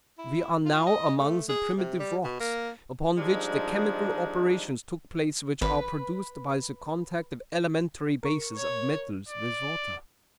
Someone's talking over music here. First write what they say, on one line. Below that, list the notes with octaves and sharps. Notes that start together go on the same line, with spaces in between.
We are now among the primitive rocks, upon which the chemical operations took place which are produced by the contact of elementary bases of metals with water.
E4
F4
D#5
A3
G#4
C3
G3
B2
A#3
F3 G3 G#3 D4 D#4
G#1 B4
A#4 C#6
C#5
D5